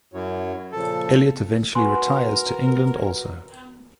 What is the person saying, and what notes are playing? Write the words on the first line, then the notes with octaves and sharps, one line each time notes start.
Elliot eventually retires to England also.
F#2 E4 F#4 C#5
A#2 C#3 F3 A4
F#4 A#4 B4 G#5 C6